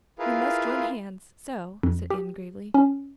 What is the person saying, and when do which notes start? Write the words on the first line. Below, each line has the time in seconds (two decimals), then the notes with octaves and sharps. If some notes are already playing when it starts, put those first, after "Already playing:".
"We must join hands--so," said Anne gravely.
0.19 E4 F4 G#4 A#4 B4 F5
1.83 F2
2.10 G4
2.74 C#4